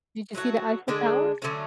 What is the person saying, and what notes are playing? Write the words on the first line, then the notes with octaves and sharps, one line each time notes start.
Did you see the Eiffel Tower?
F#3 A3 D4 F#4
D3 G#3 D4 G#4
D3 F#3 A3 C#4